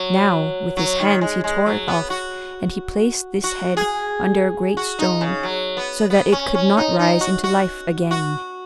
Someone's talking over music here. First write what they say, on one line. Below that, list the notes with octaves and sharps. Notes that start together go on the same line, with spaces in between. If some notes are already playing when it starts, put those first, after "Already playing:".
Now, with his hands he tore it off, and he placed this head under a great stone so that it could not rise into life again.
Already playing: F#3
F#3
D#3
G#3
G#3
F#3
B3
F#4
F#4
G#4
F#4
D#4
C#3
F#3
B3
B3
C#4
C#4
D#4
D#4
F#4
F#4
F#4